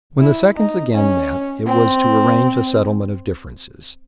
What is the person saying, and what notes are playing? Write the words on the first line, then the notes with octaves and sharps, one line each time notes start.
When the seconds again met, it was to arrange a settlement of differences.
E4
D#4
C#4
C4